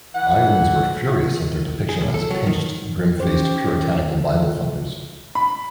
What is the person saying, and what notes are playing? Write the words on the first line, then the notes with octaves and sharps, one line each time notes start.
Iowans were furious at their depiction as pinched, grim-faced, puritanical Bible-thumpers.
E3 F#5
G#4
B1
A4
F#3
D#3
C#4 G4 C5 D6
B5